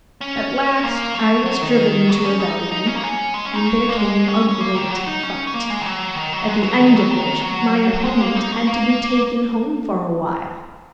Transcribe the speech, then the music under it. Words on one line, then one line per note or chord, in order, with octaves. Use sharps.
At last I was driven to rebellion, and there came a great fight,--at the end of which my opponent had to be taken home for a while.
C#4
A#3
F#3
F#3
D#3
F#3
C#4
D#4
D#4
C#4
A#3
C#4
G#3
C#4
D#4
F#3
A#3
G#3
C#4
C#4
A#3
D#3
F#3
D#4
C#4
C#4
A#3
G#3
D#3
F#3
D#3
F#3
G#3
F#3
D#3
F#3
D#3
F#3
G#3
A#3
D#4
C#4
A#3